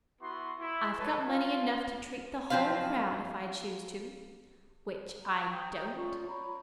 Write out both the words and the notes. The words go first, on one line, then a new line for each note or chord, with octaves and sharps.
"I've got money enough to treat the whole crowd, if I choose to, which I don't."
B3 E4 F#4 C6
E4
A4 B4 C#5
F4 F5
F3 F#3 C4 B4 F5
A#5
G5 A#5 D#6 G6
C#4 F4 D5 C#6
C#5 A#5 B5